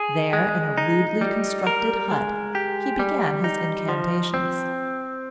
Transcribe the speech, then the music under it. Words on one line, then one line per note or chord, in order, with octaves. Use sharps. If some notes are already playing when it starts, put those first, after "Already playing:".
There, in a rudely constructed hut, he began his incantations.
Already playing: G#4
G#3
D#4
G3
A#4
G#3
G4
G3
D#4
F3
C4